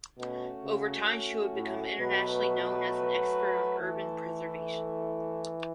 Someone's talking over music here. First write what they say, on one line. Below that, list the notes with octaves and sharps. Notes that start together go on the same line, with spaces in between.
Over time she would become internationally known as an expert on urban preservation.
B2 A3 C#4 F#4
C#3
A2
B2 F#3 A3 F#4 B4
E3 A3 E4 A4